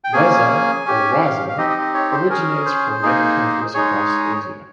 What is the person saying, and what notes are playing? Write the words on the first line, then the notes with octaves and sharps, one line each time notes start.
"Reza" or "Raza" originates from many countries across Asia.
G5
A#3 C#4 G#4 G#5
C#4 G4
F5
F5
C4 D#4 G4 D#5
D#5
D#5
C#5
C5
C#4 G#4 A#4
C5
A#3 D#4 G#4
G#3 D#4 G#4 C#5